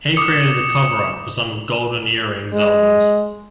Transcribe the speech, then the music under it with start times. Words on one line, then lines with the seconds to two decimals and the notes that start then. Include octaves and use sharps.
Hay created the cover art for some of Golden Earring's albums.
0.16 D6 D#6 C#7
2.53 G#3